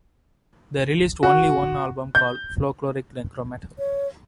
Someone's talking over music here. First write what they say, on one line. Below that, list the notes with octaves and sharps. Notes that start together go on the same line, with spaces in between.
They released only one album called "Folkloric Necro Metal".
F#4
G6
C#5